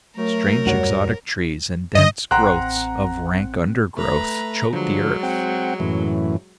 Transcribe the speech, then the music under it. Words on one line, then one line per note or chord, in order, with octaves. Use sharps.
Strange exotic trees and dense growths of rank undergrowth choked the earth.
F#3 A3 A#4
D#1 F#2 G3 F#4 C#5
G2 D3 D#5
A1 C4 F#5 A#5 F#6
A3 B4 A#5
D3 F3 F#3 G#3
C4 F#5 G5
F#2 A2 E3